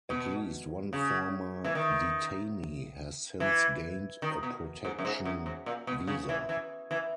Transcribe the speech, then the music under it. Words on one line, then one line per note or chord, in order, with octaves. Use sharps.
At least one former detainee has since gained a protection visa.
B2
C#3
E3
D#3
E3
D#3
B2
G#2
F#2
G#2
F#2
G#2
A#2
B2
C#3
E3
E3
E3